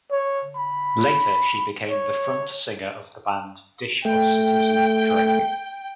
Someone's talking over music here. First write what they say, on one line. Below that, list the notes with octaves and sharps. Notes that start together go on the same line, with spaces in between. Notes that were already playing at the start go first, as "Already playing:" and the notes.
Later she became the front singer of the band "Dish Of Citizen Drake".
C#5
B5
C#5
A3 G5